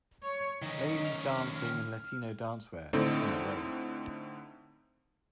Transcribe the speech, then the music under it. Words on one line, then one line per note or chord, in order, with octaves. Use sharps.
Ladies dancing in Latino dancewear, on a road.
C#5
D#3 C#4 D#5
F6
A2 D3 C4 D#4